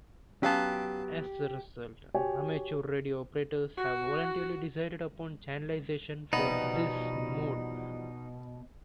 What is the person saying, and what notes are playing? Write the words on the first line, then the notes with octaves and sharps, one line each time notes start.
As a result, amateur radio operators have voluntarily decided upon channelization for this mode.
F#3 B3 C#4 G4 F5 A5
F#4 G4 C#5 G5 G#5
F#4
E2 B2 F3 G3 B3 D#4